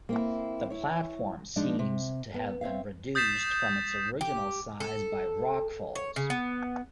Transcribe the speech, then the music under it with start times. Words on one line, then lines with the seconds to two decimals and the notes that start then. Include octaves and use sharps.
The platform seems to have been reduced from its original size by rockfalls.
0.09 A#3 C4 E4
0.70 E4 C#5
1.56 F3 G#3 D4 D#4
1.79 C3
2.34 B3
2.61 C4 C#5 E5 F5
3.15 D#6 G6 A6 B6 C7 E7
4.21 G4
4.80 A4
5.95 C#5
6.16 C#3
6.30 B3